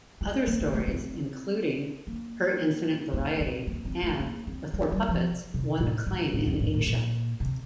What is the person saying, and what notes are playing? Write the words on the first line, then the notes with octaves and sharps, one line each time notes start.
Other stories, including "Her Infinite Variety" and "The Four Puppets", won acclaim in Asia.
A3
A#3
A#3
A3
C4
A#3
A#3
C4
A#3
C4
A3
A#3
C4
A#3
G3
F3
C3
A2
G2
A2
F2
A2
A#2
A#2
C3